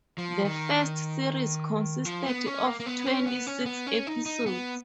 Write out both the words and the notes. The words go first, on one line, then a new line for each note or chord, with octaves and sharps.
The first series consisted of twenty-six episodes.
F3
D#3
F3
B3
C#4
A#3
A#3
B3
C#4
B3
C#4
B3
C#4
D#4
D#4
B3